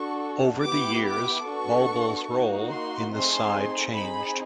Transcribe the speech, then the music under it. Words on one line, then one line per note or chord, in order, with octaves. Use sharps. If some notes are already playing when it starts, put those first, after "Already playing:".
Over the years Bulbul's role in the side changed.
Already playing: D4 F#4 A4 C#6
B3 E4 G4 D6
D6
B3 D4 F#4 A4 C#6
A#3 D#4 F#4
C6
A3 C4 D#4 G#4 C6
C4 D#4 G#4 B5